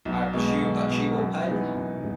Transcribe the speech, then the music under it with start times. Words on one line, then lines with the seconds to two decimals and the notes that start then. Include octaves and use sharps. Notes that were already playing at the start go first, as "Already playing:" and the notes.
I presume that she will pay.
0.05 B1
0.33 B2 G#3
0.62 B1
0.89 B2 G#3
1.18 F#2
1.46 E3 B3 D#4
1.74 F#2